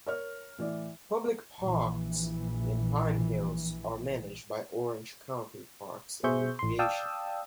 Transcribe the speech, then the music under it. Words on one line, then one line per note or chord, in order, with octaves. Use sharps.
Public parks in Pine Hills are managed by Orange County Parks and Recreation.
A#4 C#5 F6
A2 E3 D5
A#1 E3
B2 G#4 C5 E5 C#6 G6
A1 C6
D5 F5 G5 A5 D#6 E6